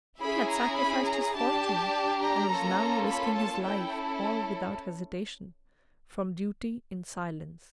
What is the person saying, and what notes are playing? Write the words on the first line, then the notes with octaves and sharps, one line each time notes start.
He had sacrificed his fortune, and was now risking his life, all without hesitation, from duty, in silence.
C#4 E4 G#4 B5
A#5
B5
A#5
D4 G4 A5
A#5
A#3 C#4 F4 A4
B5
A5
C#4 E4 A4 G5